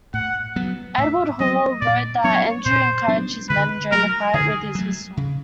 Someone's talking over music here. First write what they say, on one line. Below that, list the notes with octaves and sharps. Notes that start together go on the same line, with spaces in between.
Edward Hall wrote that Andrew encouraged his men during the fight with his whistle.
A2 F#5
F#3 B3
A2 E5
F#3 B3 D#5
A#2 D5
F#3 B3 D4 C#5
A#2 C5
F#3 B3 D4
D3 B4
F#3 A3 A#4
D3 G#4
F#3 A3
C#3